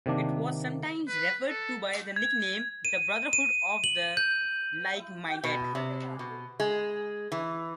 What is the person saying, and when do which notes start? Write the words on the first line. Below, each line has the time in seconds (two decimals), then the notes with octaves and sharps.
It was sometimes referred to by the nickname "the brotherhood of the 'Like-Minded'".
0.06 C3 D#3 A#3 D4
1.07 B4
1.49 A4
2.16 G#6
2.85 D#7
3.33 D#7
3.84 F#7
4.17 G6
5.44 B2
5.75 C3
6.19 B2
6.60 G#3
7.32 E3